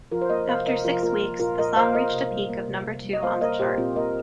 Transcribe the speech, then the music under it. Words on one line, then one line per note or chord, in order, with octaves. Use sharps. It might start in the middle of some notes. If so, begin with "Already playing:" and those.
After six weeks, the song reached a peak of number two on the chart.
F3 F4 A#4
C5
A#3 A#4 D#5
C3 C5 F5
C3 A#4 D#5
F3 F4 A#4
A#3 F4 A#4
A#3
A#2 F4 A#4
A#2 A#4 D#5
A#3 C5 F5
A#3 A#4 D#5
C3
G3
A#3
C3
C3
G3
D#5
A#3 C5 F5
A#3 A#4 D#5
A#2 G4 C5
A#2 C4 F4
A#3 A#4 D#5